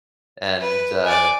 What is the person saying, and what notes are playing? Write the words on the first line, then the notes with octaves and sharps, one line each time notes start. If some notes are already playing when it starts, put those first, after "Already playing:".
And, uh
B4
D5 G#5